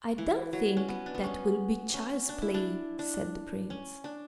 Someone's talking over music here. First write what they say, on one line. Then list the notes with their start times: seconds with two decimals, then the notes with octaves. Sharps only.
'I don't think that will be child's play,' said the Prince.
0.18 E3
0.53 F#3
0.77 C#4
0.89 B3
1.06 D4
1.14 B3
1.24 C#4
1.94 C#4
2.29 D4
2.42 E4
2.54 D4
2.99 D4
3.70 C#4
4.04 D4